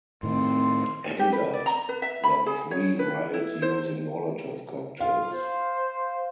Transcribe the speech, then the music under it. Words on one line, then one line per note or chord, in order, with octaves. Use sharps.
Angered, the three riot using Molotov cocktails.
A2 D#3 C4 C6
G4
B4
D5
A#5
B4
E5
B5
G#4
C#5
B4
E4
C5
F4 F5
C5